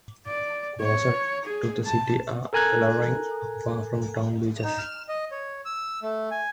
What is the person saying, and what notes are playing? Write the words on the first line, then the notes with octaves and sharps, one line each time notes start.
Closest to the city are Illawong, Far and Town beaches.
D5
C#5
G#4
A5
A4 A#4 G#5 A#5 F#6 G#6
D#4
F6
D#5
C#5
E6
A3
G#5